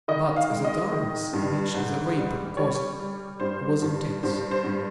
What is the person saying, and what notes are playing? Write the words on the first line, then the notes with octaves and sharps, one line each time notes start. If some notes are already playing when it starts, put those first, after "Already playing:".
But the darkness which the vapour caused was intense.
D#3 D#5
F5
G#3
D#5
D#3
G2
G#2
G3
G3 C#5
G3
G2 C5
G2
G2 C5
C5
G2